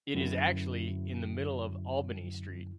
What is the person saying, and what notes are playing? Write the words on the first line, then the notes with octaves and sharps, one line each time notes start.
It is actually in the middle of Albany Street.
F#2 D3 F#3 E4